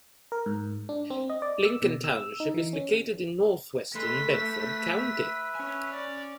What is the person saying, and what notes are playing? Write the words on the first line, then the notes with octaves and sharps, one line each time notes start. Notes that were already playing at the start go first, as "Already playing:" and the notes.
Lincoln Township is located in northwestern Bedford County.
A#4
G#2
D4
C4
D#5
D5
E6
B2
E6
D#4
E3
C#4
G#3 A3 B4 C6 B6
B4 E5
C#4 G#5
D5